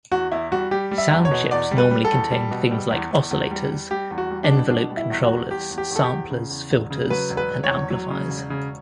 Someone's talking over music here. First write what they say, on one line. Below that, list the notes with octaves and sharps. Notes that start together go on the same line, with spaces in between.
Sound chips normally contain things like oscillators, envelope controllers, samplers, filters and amplifiers.
E2 F#4
E2 E4
G3 F#4
G3 G4
G3
E5
E2
C#5
B2
E2 D5
G3
B4
G3
A4
E2
G3
B2
G3
E2
E2
E2
G3
G3
G3 G4
E2
F#4
G3
D4
B2
B2 D4
G3
E4
E2
F#4
G3
E2 G4
E2
G4
E2
A4
G4
E2
C#3
E2
E1
C#3
F#3 B4
E1
B4
E1
C#5
E2
F#3
C#3
E1
C#3